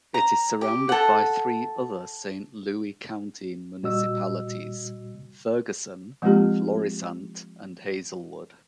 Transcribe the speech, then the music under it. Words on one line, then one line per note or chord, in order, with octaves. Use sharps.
It is surrounded by three other Saint Louis County municipalities: Ferguson, Florissant, and Hazelwood.
A#5
G4
A4 F#5
A#2 G3 F#4 D#5 E6
F3 G#3 A#3 C4 F4 G4